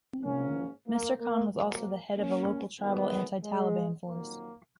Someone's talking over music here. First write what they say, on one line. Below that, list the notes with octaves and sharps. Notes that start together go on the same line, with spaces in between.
Mr Khan was also the head of a local tribal anti-Taliban force.
G#2 F3 A#3 C#4
A#3
A#3
G#2 F#3 A#3
A#3 C#4
F#2 D#3 F#3 G#3 B3
G#3
F2 D#3 F#3 A#3